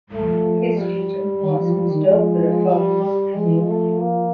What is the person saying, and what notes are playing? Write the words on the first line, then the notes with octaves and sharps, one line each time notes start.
His teacher was a Mr. Brefhard.
F3 A3
G3
D#3
F3
F3
D#3
F3 G#3
G3
G3
F3 G#3
E3
F3
A3
A#3